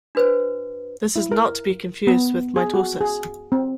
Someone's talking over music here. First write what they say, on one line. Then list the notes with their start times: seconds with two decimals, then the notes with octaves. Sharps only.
This is not to be confused with mitosis.
0.15 D4 F#4 B4 C5
1.16 E4
1.32 A#4
2.07 B3
2.56 G#4
2.74 F#4
3.01 G#4
3.52 C4